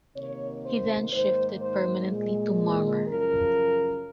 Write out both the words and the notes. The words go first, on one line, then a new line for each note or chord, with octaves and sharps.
He then shifted permanently to Munger.
C3 D#3 A#3 C#5
C5
G#2 D#3 A#3 C5
C5
A#2 G#3
F#2 C#3 F3 A#4